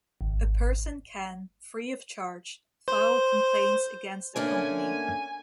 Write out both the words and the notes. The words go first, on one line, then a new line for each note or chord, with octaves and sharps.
A person can, free of charge, file complaints against a company.
G#1
C5
D3 A3 A#3 C#4 G#5